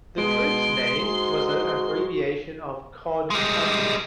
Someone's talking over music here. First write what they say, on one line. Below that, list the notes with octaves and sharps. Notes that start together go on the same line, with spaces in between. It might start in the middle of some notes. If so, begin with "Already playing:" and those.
The troupe's name was an abbreviation of "Cod Company".
B2 G#3 C6 D7
G#2 F#4
G3 G#3